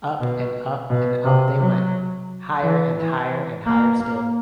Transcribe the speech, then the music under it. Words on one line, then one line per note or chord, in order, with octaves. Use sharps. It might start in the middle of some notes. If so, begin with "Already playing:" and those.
Up and up and up they went — higher and higher and higher still.
B2
B2
C3
F#3
E3
E3
A#3
A#3